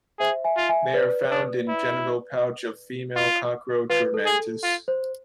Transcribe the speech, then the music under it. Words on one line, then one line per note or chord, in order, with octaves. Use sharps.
They are found in genital pouch of female cockroach or mantis.
G#4 C5 E5
E5 G#5
F4
E5 G#5
B4 D5
D4
E4
F4
F4 B4
A4
G#4
A4
F4
C5